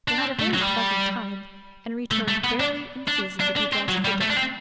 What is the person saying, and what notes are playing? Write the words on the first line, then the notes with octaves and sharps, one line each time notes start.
They had a very pleasant time, and returned barely in season to be dressed for dinner.
D4
C4
A3
F#3
G3
A3
A3
B3
D4
D4
D4
D4
C4
F#3
G3
A3
D4
C4